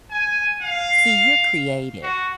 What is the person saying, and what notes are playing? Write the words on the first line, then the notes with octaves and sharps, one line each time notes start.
See, you're creative.
G#5
F5
F#4